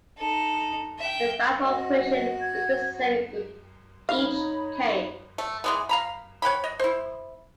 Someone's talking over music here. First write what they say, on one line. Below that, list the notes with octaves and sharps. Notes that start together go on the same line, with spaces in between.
The valve operation is the same in each case.
D#4 A4
E5 G5
F#4 D#5
G#6
D#4 C#5 F5 B5
A3
E3 G#3 B3
F5 A#5 B5
C#5 F#5 G5 B5
D#5
E4 C5